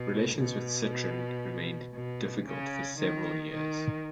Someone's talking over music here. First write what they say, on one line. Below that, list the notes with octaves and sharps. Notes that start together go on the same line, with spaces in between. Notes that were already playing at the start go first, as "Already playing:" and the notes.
Relations with Citroën remained difficult for several years.
Already playing: B2
B2
B2
C#3
D#3
D#3